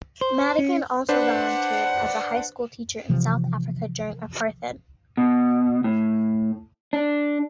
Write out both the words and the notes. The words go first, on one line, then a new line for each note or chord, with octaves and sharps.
Madigan also volunteered as a high school teacher in South Africa during apartheid.
C5
C#4
D4 B4 C5 F#5
C3 E3 F3
B2
A2
D4